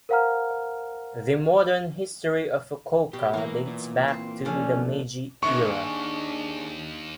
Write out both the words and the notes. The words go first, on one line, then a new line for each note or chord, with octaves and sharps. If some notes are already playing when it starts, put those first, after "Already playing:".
The modern history of Fukuoka dates back to the Meiji era.
A#4 C5 F5 F#5 A#5 F6
B2 G4
E3 F#3 A#3
A#2
C4
D3 F3 C#4
D#2 G#2 D4 D#4 A#4 C#6